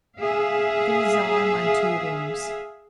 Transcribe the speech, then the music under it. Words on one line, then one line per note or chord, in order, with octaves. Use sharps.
These are my two rooms.
G#4 E5 F5